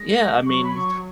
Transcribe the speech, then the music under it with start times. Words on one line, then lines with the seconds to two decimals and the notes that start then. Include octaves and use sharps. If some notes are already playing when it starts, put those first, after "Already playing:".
Yeah, I mean,
Already playing: G#3 A#6
0.46 F#3 C#6
0.64 B5
0.74 C#6